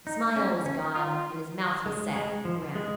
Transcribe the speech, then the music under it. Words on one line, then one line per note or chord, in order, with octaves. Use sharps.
The smile was gone, and his mouth was set and grim.
D#4
C#4
C#4
F4
G#3
G#3
F3
G#3